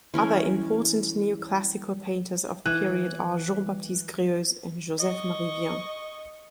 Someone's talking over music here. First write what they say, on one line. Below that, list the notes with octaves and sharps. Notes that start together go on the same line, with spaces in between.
Other important neoclassical painters of the period are Jean-Baptiste Greuze and Joseph-Marie Vien.
E3 C#4 A#4
E3 F#6
D#5 C#6